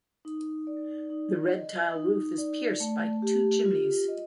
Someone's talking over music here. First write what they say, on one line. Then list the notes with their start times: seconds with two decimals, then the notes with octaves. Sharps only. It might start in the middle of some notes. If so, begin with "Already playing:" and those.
The red tile roof is pierced by two chimneys.
0.25 D#4
0.67 D5
1.10 D#4
1.53 D#5
1.95 D#4
2.38 D5
2.80 A3
3.22 G4
3.65 F4
4.08 D#5